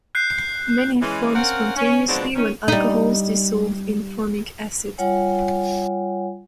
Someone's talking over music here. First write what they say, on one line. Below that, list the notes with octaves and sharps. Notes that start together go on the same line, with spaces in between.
Many form spontaneously when alcohols dissolve in formic acid.
F#6 G6 C7
E3 G#3 C#4
C4 C#4 A#4 F5 F#5
C#4
B2 F3 F#3 G#3 C4 D4
D#3 C#4
G3 D#4
G3 F4 C#5 F#5 G#5